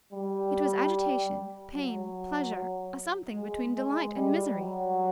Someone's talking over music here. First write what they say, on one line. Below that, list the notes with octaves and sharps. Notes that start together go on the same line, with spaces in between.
It was agitation, pain, pleasure, a something between delight and misery.
G3
F#3
G#3
G#3
G3
F#3